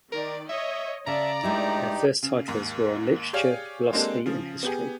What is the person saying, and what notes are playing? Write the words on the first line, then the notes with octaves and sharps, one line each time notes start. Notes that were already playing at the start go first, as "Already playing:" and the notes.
Their first titles were on literature, philosophy and history.
D#3 A#4 D5
C#5 D#5 E5
C#3 D5 E5 A5 A#5
G2 G#3 A3 D#4 E4 G4
C#3
D#2 G#2
G4 G#4 C#5 D5 F5
G#3 A#3 C4 D4 G4 A4
C#3 F3
B3 G4 G#4